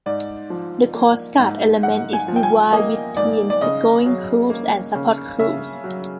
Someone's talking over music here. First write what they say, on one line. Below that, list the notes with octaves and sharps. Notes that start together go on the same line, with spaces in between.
The Coast Guard element is divided between seagoing crews and support crews.
G#2 D5
F3
A#3
G#2
G#2 F#5
G#5
F3
G5
G#5
A#3 D#5
G#2 D5
D5
C#3 D#5
F#3
A#3
C#3
C#3 E5
F#3